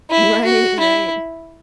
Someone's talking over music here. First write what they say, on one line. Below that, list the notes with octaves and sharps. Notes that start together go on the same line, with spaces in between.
Right, right.
E4
F#4
E4